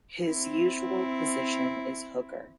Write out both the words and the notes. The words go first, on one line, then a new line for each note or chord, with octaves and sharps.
His usual position is hooker.
C4 E4